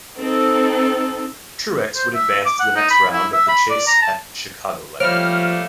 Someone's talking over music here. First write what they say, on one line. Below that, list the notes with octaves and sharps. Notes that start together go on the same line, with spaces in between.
Truex would advance to the next round of the Chase at Chicagoland.
C4 D#4 A4
C5
E5
D6
F#5
D#4
B5
E4
E5
B5
D5
A#5
A5
F3 G3 A3 A#3 C5 C#5 F6 D7